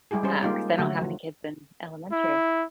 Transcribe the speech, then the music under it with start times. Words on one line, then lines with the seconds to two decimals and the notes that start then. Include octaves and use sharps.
um, 'cause I don't have any kids in elementary.
0.11 G3 G#3 E4 G4 G#4
0.23 G3 C#4 G#4 C5
0.42 G#3 A#3 D#4 F4 G4
0.78 D3 F#3 A3 F#4
1.01 F3
2.12 E4